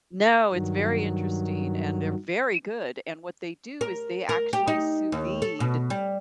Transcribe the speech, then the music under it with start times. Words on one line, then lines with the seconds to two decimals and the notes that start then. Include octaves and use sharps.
no, it's very interesting, and they're very good, and what they do is they actually sous vide
0.53 G2 D#3 F#3
3.81 A#4
4.29 A#4
4.53 G4
4.67 D#4
5.12 D#2
5.42 A4
5.60 B2
5.90 G3